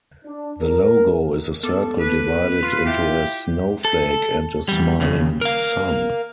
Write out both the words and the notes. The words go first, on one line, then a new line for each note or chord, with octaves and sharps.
The logo is a circle divided into a snowflake and a smiling sun.
D4
A#4
B3 A4 D6
B4
F4 C6 F6 C7
E4 G4 E5
A4
E2 G3
D#2 C#3
A#4 F5